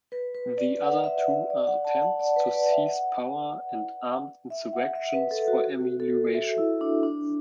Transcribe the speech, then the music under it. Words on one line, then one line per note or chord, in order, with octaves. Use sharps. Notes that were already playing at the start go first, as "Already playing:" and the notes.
The other two are attempts to seize power and armed insurrections for amelioration.
B4
B4
D5
F#5
E5
D5
F#5
A5
F#5
D5
B4
B4
D5
E5
F#5
E5
F#5
E5
B4
A4
F#4
F#4
A4
E5
E4
D4
D4